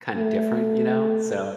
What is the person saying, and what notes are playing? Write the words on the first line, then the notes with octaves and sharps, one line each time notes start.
kinda different, you know? So
A3